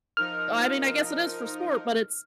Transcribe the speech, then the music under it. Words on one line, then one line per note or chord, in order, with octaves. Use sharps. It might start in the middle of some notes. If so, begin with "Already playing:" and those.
I mean, I guess it is for sport, but it's
F3 D#4 A#4 F6